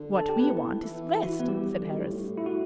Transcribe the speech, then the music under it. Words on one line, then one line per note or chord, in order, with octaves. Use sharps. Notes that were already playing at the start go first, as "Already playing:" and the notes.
"What we want is rest," said Harris.
Already playing: D3
A4 A5
G4 G5
B3 B4
E4
E3
E4
F#4
B3 B4
G3 G4
D3
B2
A2
G2
A2
E4
F#4